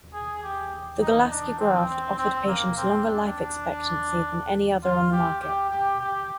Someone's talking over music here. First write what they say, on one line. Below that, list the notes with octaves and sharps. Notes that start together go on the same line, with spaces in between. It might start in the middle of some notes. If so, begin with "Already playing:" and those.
The Golaski graft offered patients longer life expectancy than any other on the market.
G#4
G4
D#4
D4
C4
C4
C4
A#3
C4
D4
F4
G4
G4
G4
G4